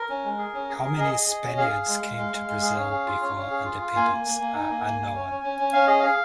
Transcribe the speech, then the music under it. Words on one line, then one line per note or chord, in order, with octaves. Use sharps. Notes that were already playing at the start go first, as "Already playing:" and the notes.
How many Spaniards came to Brazil before independence are unknown.
Already playing: A#4
C#4
G#3
G#4
C#4
G#4
G#4
G#4 D#5
G#4
G#4
C#4
G#4 F5
G#4
G#3
G#3
G#3
G#3
G#3
G#4
C#4
G#4
F4
C#4
C#4
G#4
F4
F4
A#3 G#5
A#3
A#3
A#3
D#4
A#3
A#3
A#3
C#4
C#4
C#4
C#4
C#4 F5
G#4 D#5
G#4 F5